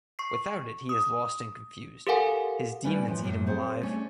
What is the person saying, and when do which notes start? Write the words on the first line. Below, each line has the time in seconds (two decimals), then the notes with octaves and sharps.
Without it, he is lost and confused; his demons eat him alive.
0.19 C#6 C7
0.89 D#6
2.07 G4 A4 A#4 F5 F#5 G#5
2.84 G3 C#4 E4 B4 D5 G#5
3.07 A2 E3 F3
3.23 F#2 A2 F#3 A#3
3.46 C4 G#4 C5 C#5
3.82 A3 C#4 D4